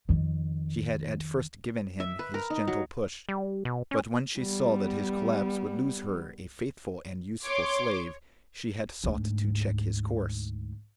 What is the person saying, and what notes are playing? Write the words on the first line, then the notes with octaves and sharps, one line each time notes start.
She had at first given him his gentle push, but when she saw that his collapse would lose her a faithful and useful slave she had sought to check his course.
F2 D#3
E5
B4
A#4
D#4
F#3
G3
B2
C#4
G3 B3
C#5 C6 D6
D2 G#2